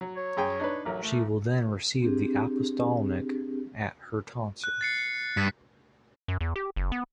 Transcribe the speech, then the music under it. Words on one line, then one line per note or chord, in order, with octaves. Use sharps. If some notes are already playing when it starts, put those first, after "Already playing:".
She will then receive the apostolnik at her tonsure.
F#3
C#5
F#2 G#4 G5
D4 D#4 B4
A1 F#3 A#4
A3
C4 D4 G4 G#4
F#6
A6 C7 C#7
C#7
G2 B6
F#2
E2
G4
F#1
B3